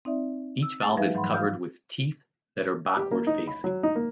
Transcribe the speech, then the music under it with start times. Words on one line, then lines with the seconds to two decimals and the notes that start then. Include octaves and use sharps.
Each valve is covered with teeth that are backward-facing.
0.05 C4 D#4 D5 E5
0.63 E6
0.81 A3 G#4 A5 D#6 A6
0.97 F3 G3 D#4 B4 E5 F5
1.15 G#2 E3 F#3 F#5 B5 C6
1.34 F#4 F5 D#6 F6 G6
2.97 G4
3.11 A#3
3.27 D#4
3.47 B5
3.64 F#3
3.83 D#4
3.96 A#3